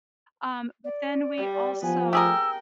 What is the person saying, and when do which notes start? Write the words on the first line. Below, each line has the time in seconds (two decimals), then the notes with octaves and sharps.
um, but then we also,
0.84 D5
1.38 G3
1.83 F3 B3 G#5
2.13 G4 G#4 A#4 G5 E6